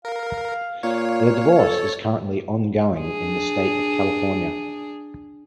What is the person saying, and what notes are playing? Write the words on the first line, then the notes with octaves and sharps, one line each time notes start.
Their divorce is currently ongoing in the state of California.
A#4 F5
A#2 C#5 F5
A4
D4 G#4